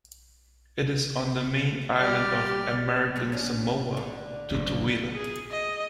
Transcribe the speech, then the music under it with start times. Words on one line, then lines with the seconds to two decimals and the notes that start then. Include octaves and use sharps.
It is on the main island of American Samoa, Tutuila.
1.99 G3 G4 D5 F6
3.16 F#3 G#3 A3
3.32 F#2 C#4 D4
3.97 D3
4.51 F#1 D2
5.15 G#4
5.51 D#5